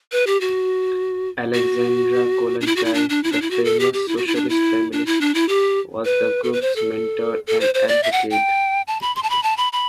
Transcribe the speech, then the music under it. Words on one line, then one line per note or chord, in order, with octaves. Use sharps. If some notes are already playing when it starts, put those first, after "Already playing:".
Alexandra Kollontai, the famous socialist feminist, was the group's mentor and advocate.
B4
G4
F#4
F#4
D4
E4
F#4
E4
D4
D4
E4
D4
E4
F#4
A4
G4
G4
E4
F#4
E4
D4
E4
D4
E4
D4
E4
G4
B4
A4
B4
C5
A4
A4
C5
C5
D5
E5
F#5
G5
A5
B5
C6
A5
B5
A5
B5
B5